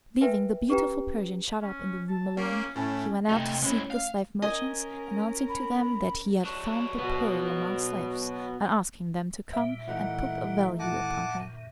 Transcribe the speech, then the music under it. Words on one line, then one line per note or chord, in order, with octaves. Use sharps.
Leaving the beautiful Persian shut up in the room alone, he went out to seek the slave merchants, announcing to them that he had found the pearl among slaves, and asking them to come and put a value upon her.
A#4 B4 E5 G5 G#5
C#4 G4 B4 G5 A#5
C#4
A5
A#3 C#4
A2 C#4 A5
C3 A3 D#4
G#3 C#4 E4
F5
C#4 A#4 D#5 G#5
B5
F#3 D4
B3 F#4
A#2 G3 E5
E3 A3 D#4 F#5
F#2 A#2 D#3 F#5 A5 D6